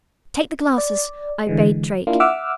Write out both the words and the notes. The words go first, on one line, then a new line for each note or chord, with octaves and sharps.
"Take the glasses," I bade Drake.
D5
D3 E3 G#3
A#3 D4 E4 F4
E5 F#5 D6 E6 F6